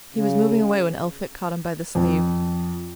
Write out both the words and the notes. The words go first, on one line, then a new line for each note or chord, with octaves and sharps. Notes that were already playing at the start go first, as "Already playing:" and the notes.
He was moving away when Elphick caught him by the sleeve.
C#3
F2